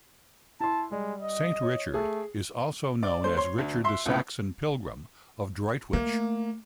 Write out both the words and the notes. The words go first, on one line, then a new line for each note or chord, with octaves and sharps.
Saint Richard is also known as Richard the Saxon Pilgrim, of Droitwich.
E4 A5 C6
G3 G#3
D#5
C#5
A3 G#4
D5
A3 C5
C#5 C6
D2
E5 C6
C#2 A2 C#3 B3
A3 A#3